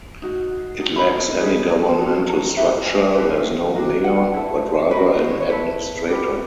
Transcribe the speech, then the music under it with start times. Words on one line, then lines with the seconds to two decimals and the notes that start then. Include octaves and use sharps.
It lacks any governmental structure; there is no mayor but rather an "administrator".
0.22 D#4 F#4
0.81 D#4 F#4
0.96 B5
1.10 A#5
1.40 D#4 G#4 B4
1.70 A#5
1.98 D#4 F#4 A4
2.28 A#5
2.57 E4 G4 B4
2.86 G#5
3.15 E4 G4 B4
3.74 D4 F#4 A#4
4.04 F#5
4.34 E4 A4
4.91 C#4 F#4 A#4 B4
5.07 C5
5.21 C5
5.30 C#5
5.40 C#5
5.50 E4 A4 B4
6.09 D4 G4 B4